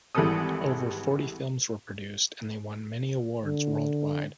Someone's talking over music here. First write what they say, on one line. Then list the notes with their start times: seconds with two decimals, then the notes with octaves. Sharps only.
Over forty films were produced and they won many awards worldwide.
0.15 G#1 E3 G3 G#3 A4 D#6
3.45 D3